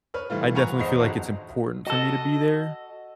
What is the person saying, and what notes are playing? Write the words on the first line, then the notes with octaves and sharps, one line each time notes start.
I definitely feel like it's important for me to be there.
B4 C#5 F6
E3 G3 A3 F4
F#5 G#5 A#5 B5 C#6 F7
E2 C5 D#5 C7
G1 F2 F#4 A5
F#4 A4 D#5